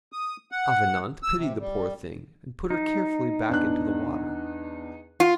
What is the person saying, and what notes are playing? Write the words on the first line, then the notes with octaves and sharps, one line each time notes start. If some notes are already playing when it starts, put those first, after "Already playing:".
Avenant pitied the poor thing, and put her carefully back into the water.
D#6
F#5
E6
C3
G3
D#4
E2 D4 F#6
F4